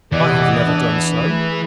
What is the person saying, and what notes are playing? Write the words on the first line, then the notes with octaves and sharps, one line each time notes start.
"I have never done so."
E2 C3 E3 D5 D#5 F#5
D4
A3 G#4 B4